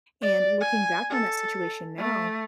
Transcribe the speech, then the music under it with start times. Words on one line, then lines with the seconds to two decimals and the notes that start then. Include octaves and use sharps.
And looking back on that situation now,
0.22 D5
0.61 G#5
1.10 A4
1.98 A3